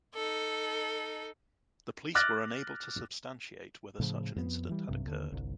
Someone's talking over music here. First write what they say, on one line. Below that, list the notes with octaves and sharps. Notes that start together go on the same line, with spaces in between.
The police were unable to substantiate whether such an incident had occurred.
D#4 A4
D6 F6 F#6 A6 A#6
A2 C#3 F3
F2 B3
E3 G3
B1 G2 C3
D#2 D3
G1 C2